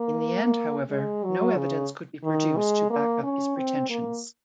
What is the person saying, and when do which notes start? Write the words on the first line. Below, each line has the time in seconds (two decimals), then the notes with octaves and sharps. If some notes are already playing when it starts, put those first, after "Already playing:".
In the end, however, no evidence could be produced to back up his pretensions.
Already playing: A#3
0.90 G#3
1.24 F#3
1.57 C#3
2.24 D#3
2.57 G#3
2.90 A#3
3.23 C#4
3.57 C4
3.90 A#3